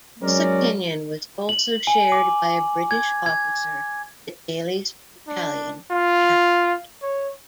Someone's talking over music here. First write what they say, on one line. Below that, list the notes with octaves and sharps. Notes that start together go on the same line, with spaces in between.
This opinion was also shared by a British officer that Daly's battalion had captured.
F#3 G#3 C#4 A#4 D5
F#7
G#5
D6
G#6
G#6
D4
F4
C#5